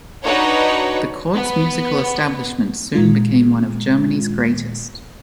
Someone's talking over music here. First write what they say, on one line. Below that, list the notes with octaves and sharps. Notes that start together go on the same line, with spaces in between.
The court's musical establishment soon became one of Germany's greatest.
D4 D#4 F#4 B4 C#5
B3
A#2 D#3 G#3 F4